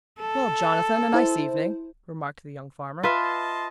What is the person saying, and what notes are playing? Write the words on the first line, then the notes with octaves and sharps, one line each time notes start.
"Well, Jonathan, a nice evening," remarked the young farmer.
A4
E4 C5
F4 B4 D#5 E5 A5 C6